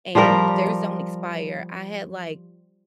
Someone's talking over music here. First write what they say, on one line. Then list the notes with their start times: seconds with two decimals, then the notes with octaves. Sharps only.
and theirs don't expire. I had, like
0.15 F3 G3 G4 A#4